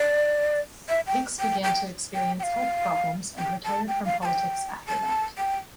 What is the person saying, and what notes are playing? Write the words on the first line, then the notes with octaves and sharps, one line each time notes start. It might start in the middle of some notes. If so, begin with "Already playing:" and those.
Hicks began to experience health problems and retired from politics after that.
Already playing: D5
E5
G5
G5
G5
G5
G5
F5
G5
A5
G5
F5
A5
G5
A5
G5